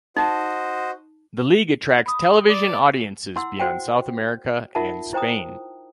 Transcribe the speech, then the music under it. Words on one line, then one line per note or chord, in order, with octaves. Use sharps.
The league attracts television audiences beyond South America and Spain.
D#4 F#4 C5 D#5
B5 D#6
D5
E4 F#5 C6 E6
F#4 C5 F#5 G5
D#4 F4 A#4 E5 F#5 A5
E4 C5 G5 A#5 D#6